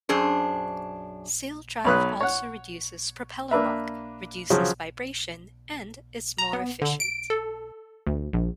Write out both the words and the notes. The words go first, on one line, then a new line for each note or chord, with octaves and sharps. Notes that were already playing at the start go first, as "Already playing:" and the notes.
Saildrive also reduces propeller walk, reduces vibration, and is more efficient.
F#2 D4 G#4 C5
B1 F#3 B4 D#6 F#6
C#5 F#5
A#3 D4 B4 E5
C#3 F3 F#3
A#5
B3
D3
D7
A4
D2
A#1